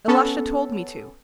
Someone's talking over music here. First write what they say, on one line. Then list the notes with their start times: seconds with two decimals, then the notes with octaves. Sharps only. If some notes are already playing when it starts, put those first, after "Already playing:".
Ilusha told me to.
0.08 B3 C#4 A4